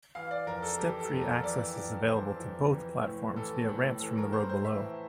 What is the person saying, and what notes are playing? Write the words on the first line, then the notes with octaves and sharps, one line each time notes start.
Step-free access is available to both platforms via ramps from the road below.
E3 F5
D5
F2 A#4
A4
E3 G4
A4
F2
A#4
E3 D5
F2
E3 C5
F2
E3
A2
E3 A4
A2
E3 A4
A#4
A2 C5
C5
E3 E5